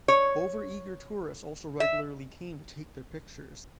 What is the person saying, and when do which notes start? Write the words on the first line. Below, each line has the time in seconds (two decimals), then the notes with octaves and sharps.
Overeager tourists also regularly came to take their pictures.
0.08 C#5
1.80 E5